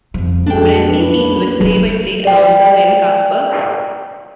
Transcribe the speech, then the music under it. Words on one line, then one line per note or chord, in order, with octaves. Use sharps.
Brenly teamed with play-by-play announcer Len Kasper.
F2 F3
G#3 D4 F#4 A4 G5
B1 F#2 B4
F#3 E4
D5 G5